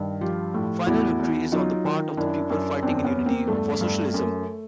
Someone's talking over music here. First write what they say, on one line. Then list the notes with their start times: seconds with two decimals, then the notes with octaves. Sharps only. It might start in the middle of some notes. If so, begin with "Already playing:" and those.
Final victory is on the part of the people fighting in unity for socialism.
Already playing: G2 D#3
0.21 F3 F4 G4
0.54 A2
0.87 E2 E4 F#4
1.19 E2
1.52 F#3 D#4 F4
1.84 D#3
2.17 F#2 D4 E4
2.50 F#2
2.83 E2 C4 D4
3.04 B3 C#4
3.15 E2
3.26 A#3 C4
3.48 G2 A3
3.81 G2
4.14 F#2